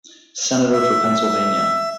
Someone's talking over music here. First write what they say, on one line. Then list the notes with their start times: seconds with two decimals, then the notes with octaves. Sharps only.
Senator for Pennsylvania.
0.73 E5